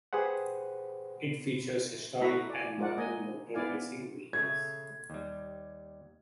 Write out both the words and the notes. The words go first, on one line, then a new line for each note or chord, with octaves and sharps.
It features historic and modern motor-racing vehicles.
G4 G#4 B4 C5 F#5
A3 E4 F#4 E5 A#5 B5
D5 G#5
G#3 F4 A#4 D5 F#5
A#3 D#5 G#5
B3 E4 D5 F5 G#5
C#3 A3 G#6
D#2 G3